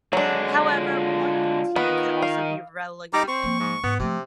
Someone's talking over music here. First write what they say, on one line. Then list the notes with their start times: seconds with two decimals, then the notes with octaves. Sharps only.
However, one other team could also be relegated.
0.13 D3 F#3 G#3 D4
0.73 F4
1.76 D#3 B3
2.22 F5
3.13 G3 D#4 A#5 D6
3.28 C4 C#6
3.44 F3 A#3
3.60 G#2
3.84 G#2 B3
4.00 C3 F3 A3